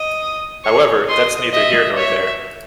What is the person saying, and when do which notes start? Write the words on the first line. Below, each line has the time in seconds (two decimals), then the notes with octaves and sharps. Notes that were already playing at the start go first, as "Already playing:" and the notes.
However, that’s neither here nor there.
Already playing: D#5
0.21 D#6
0.65 C#5 C#6
1.09 D#5 C6
1.53 D#5 E5
1.97 C#5 E5